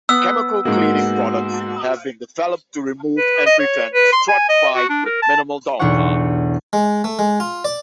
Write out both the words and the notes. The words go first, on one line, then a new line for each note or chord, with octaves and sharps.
Chemical cleaning products have been developed to remove and prevent struvite with minimal downtime.
B3 E6
G#2 G#3 A#3 F#4
B4
D#5
C#5
B4
C6
G#5
D#5
F#4
D4
A#4
A5
B1 E2 D4 C#5 F#5 C#6
G#3
A3
G#3
F4
D5